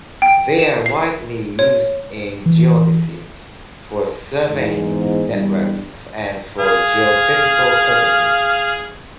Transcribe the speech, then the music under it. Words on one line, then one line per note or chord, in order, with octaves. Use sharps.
They are widely used in geodesy, for surveying networks and for geophysical purposes.
G5
E7
C7
C#5
E3
E2 G#2
E2 G2 G3
G#4 F5